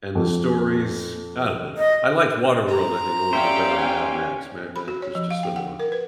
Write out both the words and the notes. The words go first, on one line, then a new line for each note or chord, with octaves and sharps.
and the stories, I don't know, I liked Waterworld, I think, a little bit better than Mad Max. Mad Max was just sort of a
F2
D#5
C4 A#5
C#4 G4 C5 D5 E5 F5 G5
G#5
B5
F#4
C#5
F3
F5
G5
F#5
A#4
B4